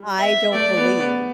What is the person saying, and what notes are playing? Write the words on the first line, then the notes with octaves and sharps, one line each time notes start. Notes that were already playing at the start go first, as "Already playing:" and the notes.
I don't believe
Already playing: G3
E5
A3 D5
B3
B3